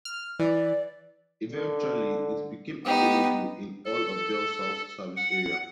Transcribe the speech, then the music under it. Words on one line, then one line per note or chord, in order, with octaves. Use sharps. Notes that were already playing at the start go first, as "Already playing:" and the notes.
Eventually, it became available in all of BellSouth's service area.
F6
E3 D5
D3
B3 D#4 G4
A4
F#5